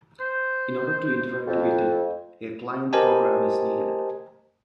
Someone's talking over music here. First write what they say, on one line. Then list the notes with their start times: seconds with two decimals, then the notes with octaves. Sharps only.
In order to interact with it, a client program is needed.
0.21 C5
1.47 F2
2.93 G4 A#4 C5 D#5 G#5 A5